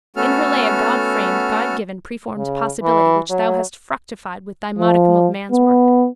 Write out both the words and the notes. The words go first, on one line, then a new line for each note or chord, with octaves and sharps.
In her lay a Godframed Godgiven preformed possibility which thou hast fructified with thy modicum of man's work.
A3 B3 C#4 F#4 A4 F6
C#3
E3
F#3
F3
B3